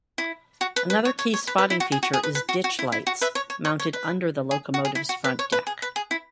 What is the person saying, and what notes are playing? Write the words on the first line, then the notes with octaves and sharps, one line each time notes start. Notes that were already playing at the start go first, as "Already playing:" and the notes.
Another key spotting feature is ditchlights mounted under the locomotive's front deck.
E4
F#4
B4
B4
C#5
C#5
C#5
B4
B4
E4
F#4
G#4
F#4
G#4
B4
B4
F#4
F#4
E4
E4
F#4
B4 E5
C#5
C#5
C#5
C#5
B4
G#4
F#4
G#4
E4
F#4
B4
C#5
B4
G#4
B4
G#4
E4